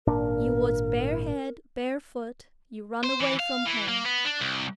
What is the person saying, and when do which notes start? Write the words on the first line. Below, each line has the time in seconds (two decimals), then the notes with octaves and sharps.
You was barehead, barefoot; you run away from home.
0.07 G#1 A#2 D4 A#4
3.04 C5
3.20 E3
3.40 F5
3.66 E3
3.89 A#3
4.05 B3
4.25 D4
4.41 C2